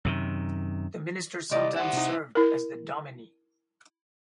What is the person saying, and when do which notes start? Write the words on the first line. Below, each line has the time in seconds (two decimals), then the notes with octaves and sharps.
The minister sometimes served as the dominie.
0.05 F#2 C3 D#3
1.51 C2 G4 D5 D#5
1.76 E4 C5 F#5
1.93 C3 D#4
2.35 E4 A#4